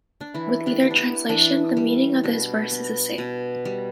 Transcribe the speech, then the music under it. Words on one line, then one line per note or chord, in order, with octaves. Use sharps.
With either translation the meaning of this verse is the same.
D4
E3 E4
D4 G4
B3
D4
E4
E3 D4
G3
B2 D4
B3
B2
G3